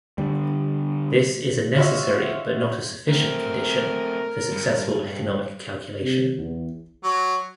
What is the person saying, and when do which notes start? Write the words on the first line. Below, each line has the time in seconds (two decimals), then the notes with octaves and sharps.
This is a necessary but not a sufficient condition for successful economic calculation.
0.18 D3 G3
1.77 F4 F#4 C5 C#5 D#5 E5
3.08 A3 C4 A#4
4.51 G2
6.02 C3
6.38 E2
7.04 F#3